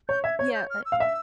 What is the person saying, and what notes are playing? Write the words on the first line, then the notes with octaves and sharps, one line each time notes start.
Yeah, but
C#5 G6
E5 G#6
C#5 G#6
G6
F6
E6
F5
E5 E6